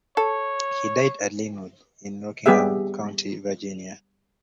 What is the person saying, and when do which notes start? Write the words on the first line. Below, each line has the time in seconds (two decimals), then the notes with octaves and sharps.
He died at Lynnwood in Rockingham County, Virginia.
0.17 A4 C#5
2.46 G3 B3 G4 G#4 E5